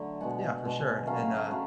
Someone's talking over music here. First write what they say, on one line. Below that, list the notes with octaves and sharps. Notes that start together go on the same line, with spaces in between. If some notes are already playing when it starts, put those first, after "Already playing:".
yeah, for sure and, uh,
Already playing: D3 F#3 A3
B2 G#3 F#5
B2 G#3
C#3 F#3 A3 F5
C#3 F#3 A3